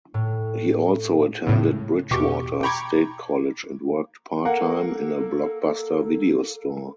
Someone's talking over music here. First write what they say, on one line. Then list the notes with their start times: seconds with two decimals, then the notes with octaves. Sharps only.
He also attended Bridgewater State College and worked part-time in a Blockbuster video store.
0.14 A2
1.47 A2 C#3
2.11 E2 B2 G4 C#6 D6
2.63 G5 A#5 B5 C#6 D6 G#6
4.45 A#3 A4 A#4 F#5